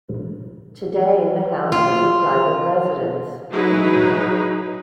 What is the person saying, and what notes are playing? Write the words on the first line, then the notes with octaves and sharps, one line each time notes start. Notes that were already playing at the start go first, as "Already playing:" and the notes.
Today the house is a private residence.
F4
F#3 D#4 E4 G#4 B4